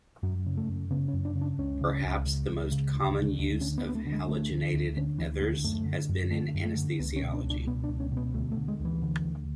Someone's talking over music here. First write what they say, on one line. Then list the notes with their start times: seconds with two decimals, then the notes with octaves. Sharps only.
Perhaps the most common use of halogenated ethers has been in anesthesiology.
0.23 F#2 F#3
0.46 C#3
0.57 A3
0.69 F#2
0.91 C#3 B3
1.08 C#4
1.14 F#2
1.25 D4
1.35 C#3
1.41 D4
1.58 C#2 C#4
1.81 C#3
2.04 C#2
2.26 C#3
2.48 C#2
2.72 C#3
2.94 D2
3.17 D3
3.39 D2
3.61 D3 C#4
3.78 B3
3.84 D2
3.89 B3
3.95 A3
4.07 D3
4.12 G#3
4.28 D2 A3
4.51 D3
4.74 D2
4.97 D3 C#4
5.18 D2 E3
5.42 D3 G#3
5.64 F#2 A3
5.86 D3
6.09 F#2
6.31 D3 A3
6.54 F#2
6.65 A3
6.77 D3
6.99 C#2 B3
7.16 C#4
7.22 B2
7.33 D4
7.44 C#2
7.50 D4
7.67 B2 B3
7.84 D4
7.89 C#2
8.00 C#4
8.12 B2
8.17 B3
8.34 D2 A3
8.52 A3
8.56 D3
8.68 G#3
8.80 D2
8.85 E3
9.02 D3
9.24 D2